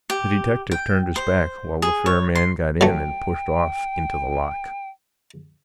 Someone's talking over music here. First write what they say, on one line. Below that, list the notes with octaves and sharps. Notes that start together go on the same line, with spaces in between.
The detective turned his back while the fair man got in and pushed off into the loch.
G4
G5
C5
G#4
C#5
C6
F#3 A3 G5